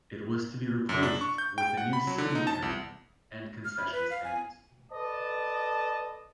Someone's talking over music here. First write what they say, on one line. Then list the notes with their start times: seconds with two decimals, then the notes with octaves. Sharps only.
It was to be replaced with a new seating area and concession stands.
0.89 F#2
1.03 D4
1.21 C#6
1.38 G6
1.58 G5
1.77 F#5
1.93 B5
2.07 F#3
2.18 D3
2.35 D#4
2.47 A5
2.62 C2
3.65 F6
3.78 B5
3.92 B4
4.10 F5
4.24 G#5
4.92 A4 B4 D5 D#5 A5